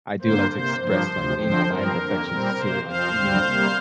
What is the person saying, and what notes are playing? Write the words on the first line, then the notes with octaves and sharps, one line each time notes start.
I do like to express, like, you know, my imperfections too, like, even
G2 D3 A#3 C5
C3 A#3 C5
G2 F3 A#3 C5
D2 C3 F3
F2 D3 F3 C4 C5
G2 F3 C4 A#4
F2 D3 A#3
A#2 G3 C4
C3 A#3 C5
F2 F3 C4 C5 F5
D2 D3 G3 C4
C3 G3 A#3